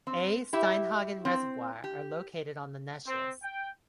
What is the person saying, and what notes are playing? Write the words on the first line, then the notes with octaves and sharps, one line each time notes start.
A. Steinhagen Reservoir are located on the Neches.
C4
E4 G4 E5
C4
G4
C4
G5